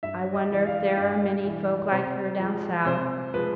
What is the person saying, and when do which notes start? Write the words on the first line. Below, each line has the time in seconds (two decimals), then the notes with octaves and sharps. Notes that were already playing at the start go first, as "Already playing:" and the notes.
'I wonder if there are many folk like her down South.
0.03 G2 E5
0.34 D#5
0.51 E3 G3
0.66 F5
0.97 G2 D5
1.45 E3 G3
1.92 C3 C5
2.38 F3 G#3
2.86 C3 C5
3.34 F3 G#3 B4